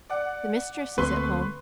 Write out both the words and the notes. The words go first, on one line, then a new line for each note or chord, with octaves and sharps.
The mistress is at home.
D5 F#5
D2 A#3 C4 B4 C6 C#6